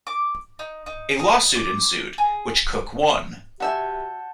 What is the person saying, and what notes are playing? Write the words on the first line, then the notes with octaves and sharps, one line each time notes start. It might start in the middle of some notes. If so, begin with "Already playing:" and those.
A lawsuit ensued, which Cook won.
D6
D#4
D#4
D#5
D6
G#4
C3 F#4 E5 F#5 G#5 A5 G6